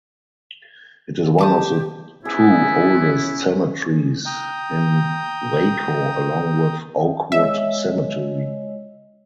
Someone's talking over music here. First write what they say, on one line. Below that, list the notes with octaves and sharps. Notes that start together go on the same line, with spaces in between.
It is one of the two oldest cemeteries in Waco along with Oakwood Cemetery.
G4 A5 D6 D#6
B3 C#4 E4 G#4
G5 A#5 D#6 G6
G#3 C#5 D#5 E5